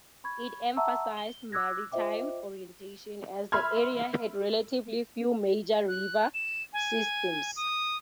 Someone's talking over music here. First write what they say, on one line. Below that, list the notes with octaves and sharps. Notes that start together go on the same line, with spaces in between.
It emphasized maritime orientation, as the area had relatively few major river systems.
B5 C#6 G#6
E5 F#5 A5 A#5 C#6 E6
G7
D6 E6 F#6 G#6 A#6
F4 C5 D#5 E5 G5 D6
E5 B5 C6 F6 G#6
F#6
E7
G#5
D#6